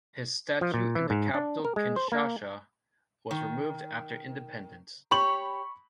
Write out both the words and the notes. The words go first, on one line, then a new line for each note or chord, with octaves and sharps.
His statue in the capital Kinshasa was removed after independence.
F3
A#2
E3
G#2
D4
A#4
G#3
C5
A#3
D#3
G4 C#5 B5 C#6 F#7